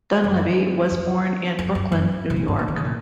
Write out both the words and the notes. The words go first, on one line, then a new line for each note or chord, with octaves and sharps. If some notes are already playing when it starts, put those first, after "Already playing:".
Dunleavy was born in Brooklyn, New York.
F#2
F2
F2
F#2
F#2
C3
A#2
G#2
A#2
D#3
C#3
A#2